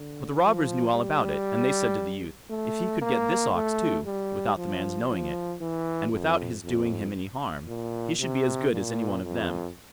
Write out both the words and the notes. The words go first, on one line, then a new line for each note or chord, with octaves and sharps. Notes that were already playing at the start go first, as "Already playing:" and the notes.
But the robbers knew all about it, and they said to the youth, if he could get this ox too, without the man's knowing it, and without his doing him any harm, he should be as good as any one of them.
Already playing: D3
F3
G3
A3
A#3
A3
G3
F3
F3
E3
F2
F2
A#2
C3
A#2
F2